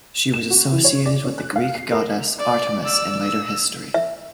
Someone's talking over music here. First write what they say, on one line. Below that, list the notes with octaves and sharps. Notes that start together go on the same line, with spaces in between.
She was associated with the Greek goddess Artemis in later history.
E7
F#4
E3
C#5
D5
C#4
F#6
F5
C7
A#4
D5
D5 E6
E6
E5